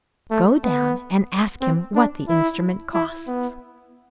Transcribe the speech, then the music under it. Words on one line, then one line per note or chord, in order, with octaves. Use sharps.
Go down and ask him what the instrument costs.'
A3
B3
C4
D4
E4
E4
B3